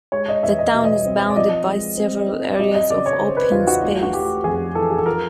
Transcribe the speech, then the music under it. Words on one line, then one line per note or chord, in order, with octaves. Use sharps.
The town is bounded by several areas of open space.
G#3 C#5
D#5
E2 E5
D#5
B2 E5
D#5
C4
D5
F3 D#5
G#3
C4
C4
D5
F#3 D#5
D#5
C#3 D5
C#5
C#3 C5
B4
E2 F4
F#4
A3 F4
F#4
A3 G4
F2 G#4
E3 A4
G#4
A4
F3 A#4